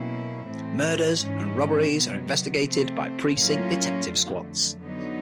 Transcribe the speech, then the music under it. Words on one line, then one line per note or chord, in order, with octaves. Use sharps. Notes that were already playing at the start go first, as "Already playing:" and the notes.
Murders and robberies are investigated by precinct detective squads.
Already playing: B2 F#3 A#3 C#4 E4
A2 E3 A3 C4
G#2 E3 G#3 C#4
C3 D#3 F#3 B3
C3 F3 A3 C4
A2 F#3 A#3 C#4 F4
F2 D3 F#3 A3
D3 F#3 B3 D#4